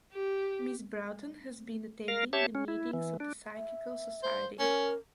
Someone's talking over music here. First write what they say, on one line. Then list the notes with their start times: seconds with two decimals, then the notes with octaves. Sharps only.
Miss Broughton has been attending the meetings of the Psychical Society.
0.14 G4
2.08 A#4 F5
2.33 G4 C#5 E5 A5
2.55 C#4
2.68 E4
2.93 E3
3.20 D4
3.54 E5
4.24 C5
4.60 C#4 A#4